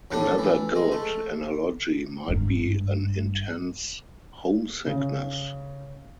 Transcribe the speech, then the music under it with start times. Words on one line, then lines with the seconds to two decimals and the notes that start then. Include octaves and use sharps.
Another good analogy might be an intense homesickness.
0.11 A2 A3 D4
0.38 E3
0.75 G#3
0.92 A3
2.28 G#1 G2
4.87 C#3